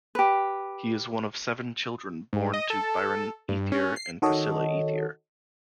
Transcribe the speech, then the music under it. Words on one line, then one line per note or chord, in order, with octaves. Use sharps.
He is one of seven children born to Byron Ethier and Priscilla Ethier.
G4 B4
G#2
D#5
A4
G2
C#4
C7
D#3 F#4 A4 C#5 D#5